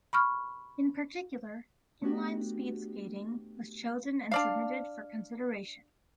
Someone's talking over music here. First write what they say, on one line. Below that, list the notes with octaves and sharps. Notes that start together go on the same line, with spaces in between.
In particular, Inline Speedskating was chosen and submitted for consideration.
B5 C#6 F6
A3 B3 D4 F#4 G4
D4 D5 F5